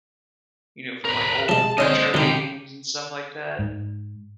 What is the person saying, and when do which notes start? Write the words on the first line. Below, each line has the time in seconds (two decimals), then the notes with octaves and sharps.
you know, from, like, old retro games and stuff like that.
1.05 A#4 B4
1.49 F3 G#3 A5
1.78 D3 C4 C#4 C5 D#5
2.14 F2 D3 D#3 G4
3.59 G#2